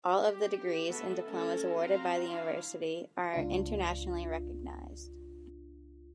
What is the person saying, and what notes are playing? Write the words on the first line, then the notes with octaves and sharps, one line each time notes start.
All of the degrees and diplomas awarded by the university are internationally recognised.
G4
A3 B3 F#4 A4 E5
A3 C#4 A4 A#4
C4 F#4 F5 A#5 C6
D4 E4 F5
C#2 D4 F4